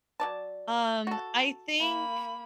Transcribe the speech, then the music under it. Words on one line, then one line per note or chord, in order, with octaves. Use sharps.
Um, I think
F#3 D5 A5
F#4 A4
A#3 B5